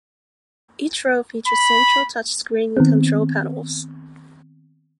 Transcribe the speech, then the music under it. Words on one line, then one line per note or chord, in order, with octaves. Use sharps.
Each row features central touchscreen control panels.
B5
D#3 B3 C4